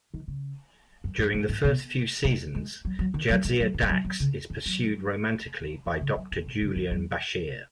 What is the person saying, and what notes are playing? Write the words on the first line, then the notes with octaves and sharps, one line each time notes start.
During the first few seasons, Jadzia Dax is pursued romantically by Doctor Julian Bashir.
D#3
C#3
F#2
F#2
G#2
G#2
B2
G#3
G#3
F#3
F#3
D#3
F#3
G#3
F#3
D#3
G#3
F#3
F#3
C#3
D#3
F#3
D#3
C#3
F#3
D#3
B2
C#3
D#3
F#3